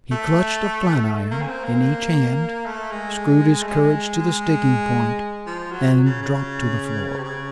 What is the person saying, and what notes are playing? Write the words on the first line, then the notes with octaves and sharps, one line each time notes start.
He clutched a flat-iron in each hand, screwed his courage to the sticking point, and dropped to the floor.
A3
A#3
C#4
C4
A#3
A3
G#3
A3
G#3
G#3
F3
F#3
C#3
C#3
C3
C#3